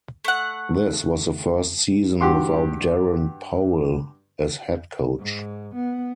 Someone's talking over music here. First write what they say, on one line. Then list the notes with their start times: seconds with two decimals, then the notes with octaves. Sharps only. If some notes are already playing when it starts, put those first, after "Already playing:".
This was the first season without Darren Powell as head coach.
0.25 A3 F#5
2.21 G2 F#4 G4 F#5 C6
5.19 G#2
5.75 B3